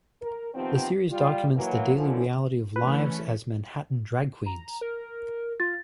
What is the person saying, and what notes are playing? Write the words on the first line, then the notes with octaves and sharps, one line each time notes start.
The series documents the daily reality of lives as Manhattan drag queens.
A#4
C3 D#3 F3 B3 C4
G3 F4
E3 F#3 A#3
F#2 B2 D3 E3 F3
E3 A3 C#4 B4
A#5
A#4
F4 A6